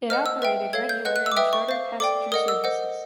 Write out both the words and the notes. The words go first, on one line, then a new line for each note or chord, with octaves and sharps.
It operated regular and charter passenger services.
C5 D#5 F#5 F6
E6
B4 E5 G5
A4 C#5 F5 G#6
G6
B4 D#5 F#5 F#6
F#6
E6
D6
B4 E5 G5 D#6
C#6
C5 F5
A4 D5 G5 D6
A#4 D#5 F#5 D#6
E6
C5 D#5 F#5